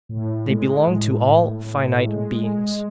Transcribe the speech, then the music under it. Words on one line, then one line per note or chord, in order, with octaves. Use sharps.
They belong to all finite beings.
A2
G#3
A2
A2
A2
G#3
G#3